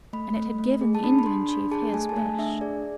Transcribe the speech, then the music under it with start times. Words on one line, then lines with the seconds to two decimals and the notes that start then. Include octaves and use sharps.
And it had given the Indian chief his wish.
0.13 A3 B5
0.36 A3
0.58 A3
0.81 G#4
0.95 A5
1.04 D4 B5
1.19 B5
1.26 D4 C6
1.49 D4 B5
1.72 G#4 A5
1.94 A3 G#5
2.09 A5
2.16 A3 G#5
2.39 D4 E5
2.61 G#4 D5